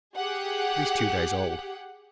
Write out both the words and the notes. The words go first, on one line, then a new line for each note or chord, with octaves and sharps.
It was at least two days old.
G4 G#4 F#5